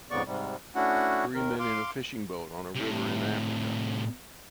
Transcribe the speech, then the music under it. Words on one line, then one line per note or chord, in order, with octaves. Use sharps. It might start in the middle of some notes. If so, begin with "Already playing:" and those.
Three men in a fishing boat on a river in Africa.
F2 G#2 C#3 B3 D5 C#6
G#2 C3 G3
A3 C#4 D4 E4 F#4 F#5
D#2 D#3 A#4
F5 C6 D6
A2 C3